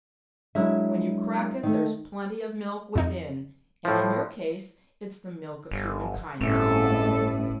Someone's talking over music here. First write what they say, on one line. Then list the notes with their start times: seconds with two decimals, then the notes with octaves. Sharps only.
When you crack it there's plenty of milk within--and in your case it's the milk of human kindness.
0.55 F#3 G#3 D4 E4 A#4 E5
1.63 D#3 A3
2.95 F2 D#4
3.85 A2 F3
5.71 G1
6.41 G1 A2 G#3 C4 C#4 A4 E5